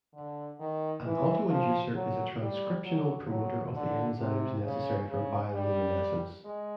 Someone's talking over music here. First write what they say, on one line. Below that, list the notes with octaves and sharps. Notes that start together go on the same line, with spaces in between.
An autoinducer is a transcriptional promoter of the enzymes necessary for bioluminescence.
D3
D#3
E3
F3
F#3
G3
F#3
F#3
D3
C3
C#3
C#3
G3
G#3